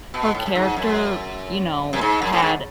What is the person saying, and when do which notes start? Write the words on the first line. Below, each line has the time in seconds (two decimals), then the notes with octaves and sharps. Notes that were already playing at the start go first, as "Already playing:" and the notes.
her character, you know, had
0.14 B2
0.35 A2
0.46 F#2
0.55 G#2
0.77 F#2
1.93 F#2
2.01 G#2
2.22 F#2
2.33 A2
2.42 G#2